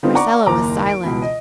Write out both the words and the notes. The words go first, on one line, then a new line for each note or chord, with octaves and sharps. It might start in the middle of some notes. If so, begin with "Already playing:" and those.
Marcella was silent.
D3 B3 C4 D#4 F4
D5 F#5 A#5 C#6 D6
F#1 D#2 A#5 D6
D7
C#2 B2 E3 B5
D#5